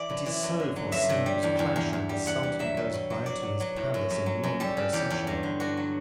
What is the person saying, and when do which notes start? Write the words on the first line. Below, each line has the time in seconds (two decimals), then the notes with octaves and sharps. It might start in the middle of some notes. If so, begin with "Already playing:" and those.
It is so, for cymbals clash, and the Sultan goes by to his palace in long procession.
Already playing: E3 D5
0.10 F#2
0.26 E3 D5
0.43 F#2
0.60 D3
0.76 F#3
0.92 G2 E5
1.09 G2
1.26 G3
1.43 E2
1.59 E2
1.76 E2
1.93 E2
2.09 G3
2.26 E2 F#5
2.43 G3
2.59 F#3 E5
2.77 B2
2.94 B2
3.10 F#3
3.26 F#3 D5
3.43 F#3
3.60 F#3
3.76 A2
3.94 F#2
4.11 F#2
4.26 F#3
4.43 F#2
4.60 G3 A4
4.77 C#3
4.93 E2 G4
5.10 E2
5.27 G2
5.43 D3
5.60 G2 F#4
5.77 F#3